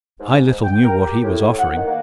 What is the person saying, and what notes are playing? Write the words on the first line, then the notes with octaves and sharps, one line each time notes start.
I little knew what he was offering.
G#2
G5
A#4
G4
A2
F#5
D#3
A#3